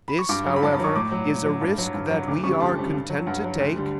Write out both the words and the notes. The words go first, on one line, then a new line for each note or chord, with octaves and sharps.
This, however, is a risk that we are content to take.
B5
C#6
G2 D6
F#3
B5
G2 A5
A5
F#3 C#6
A2 D6
F#3
A2
F#3
G2
F#3
G2
F#3
D2 D6
C#3 G3 C#6
D2 A5
C#3 G3
G2
F#3
G2 F#5
F#3
D2
D3 G3